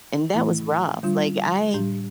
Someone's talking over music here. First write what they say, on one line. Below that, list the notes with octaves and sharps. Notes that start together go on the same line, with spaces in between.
and that was rough, like, I
A2 E3 A3 E4
D3 G3 D4 F4
A2 G3 D4 G4